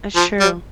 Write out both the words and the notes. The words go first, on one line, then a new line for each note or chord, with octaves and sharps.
That's true.
F3
G3